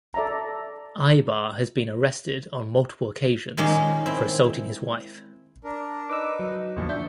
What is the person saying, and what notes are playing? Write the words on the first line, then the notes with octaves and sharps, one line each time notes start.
Aybar has been arrested on multiple occasions for assaulting his wife.
A4 D5 E5 A5 A#5
A#2 D#3 G#3 A#3 C#4 D#4
C4 E4
D4 A#4
D#4 B4 D6 E6
F#3 D#5
D2 A#2 F3 C#6
D4 E5 G6